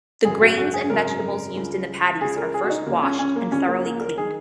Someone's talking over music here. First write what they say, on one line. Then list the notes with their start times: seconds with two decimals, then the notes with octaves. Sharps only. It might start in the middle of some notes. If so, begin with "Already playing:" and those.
The grains and vegetables used in the patties are first washed and thoroughly cleaned.
0.25 G#1 F#2 C#3 G#4
0.41 F#4
0.58 F#4
0.74 G#4
0.90 G#1 F#2 C#3 A#4
1.55 C#2 C#3
2.21 C#2 C#3 G#4
2.37 A#4
2.54 G#4
2.64 F#4
2.70 D#4
2.86 C#2 C#3 A#3
3.03 C#4
3.19 C#4
3.36 A#3
3.52 C#2 C#3 C#4
3.68 A#3
3.85 A#3
4.01 A#4
4.18 D#3 G#4